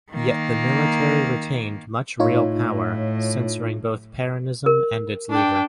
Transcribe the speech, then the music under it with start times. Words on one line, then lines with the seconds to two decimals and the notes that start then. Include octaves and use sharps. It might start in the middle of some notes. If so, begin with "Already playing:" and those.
Yet the military retained much real power, censoring both Peronism and its leader.
0.11 D#3 A#3
2.20 A2 D#4 F4 C#5
4.66 A#4
5.30 D4 G5